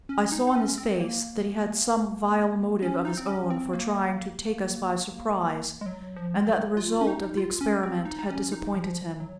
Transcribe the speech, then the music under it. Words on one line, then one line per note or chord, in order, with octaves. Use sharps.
I saw in his face that he had some vile motive of his own for trying to take us by surprise, and that the result of the experiment had disappointed him.
C#4
D#4
D#4
C#4
C4
A#3
C#4
D#4
C4
C#4
C4
A#3
G#3
F#3
F3
G#3
F#3
F4
C#4
D#4
F4
C#4
C4
D#4
D#4
C#4
D#4
F3
F#3